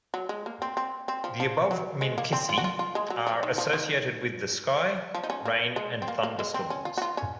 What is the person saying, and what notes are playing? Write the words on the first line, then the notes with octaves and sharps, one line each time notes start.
The above minkisi are associated with the sky, rain, and thunderstorms.
F#3
G#3
A#3
C4
C4
C4
F3
F3
F#3
G#3
A#3
C4
F4
F#4
F4
F4
G#3
F#3
F3
D#3
F3
D#3
F3
D#4
C#4
A#3
G#3
C4
A#3
A#3
G#3
C4
C#4
F4
F#4
F4
C#4